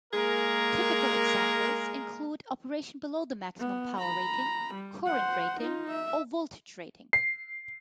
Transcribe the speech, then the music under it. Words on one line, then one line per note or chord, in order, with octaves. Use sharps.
Typical examples include operation below the maximum power rating, current rating, or voltage rating.
G#3 A#3 G#4 A#4
B3
A#5 B5
G3
C5 F#5
D#4 F4
E5
C7